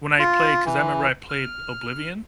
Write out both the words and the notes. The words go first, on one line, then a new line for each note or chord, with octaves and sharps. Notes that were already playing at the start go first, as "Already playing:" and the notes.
when I play 'cause I remember I played Oblivion.
F4
E3
F6